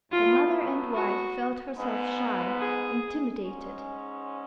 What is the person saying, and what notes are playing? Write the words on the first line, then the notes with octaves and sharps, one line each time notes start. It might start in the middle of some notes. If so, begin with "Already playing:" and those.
The mother and wife felt herself shy, intimidated.
A2 F#3 B3 F4
F#4
G#2 G#3 B3
G#4
G#2 G#3 C#4